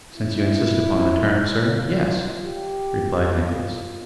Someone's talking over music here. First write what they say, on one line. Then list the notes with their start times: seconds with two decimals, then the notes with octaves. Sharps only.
'Since you insist upon the term, sir, yes,' replied Nicholas.
0.15 E4
1.68 F4
2.44 G4
3.19 F4